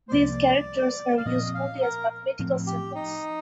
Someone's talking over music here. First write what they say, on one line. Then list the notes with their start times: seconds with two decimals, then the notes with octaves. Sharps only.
These characters are used only as mathematical symbols.
0.09 C5
0.12 C2 C3 F3 A#3 D5
1.18 F5
1.26 A#2 F3 C4 D#5
1.55 F5
1.82 A#4
2.39 A2 F3 C4
2.67 G4
2.95 D#4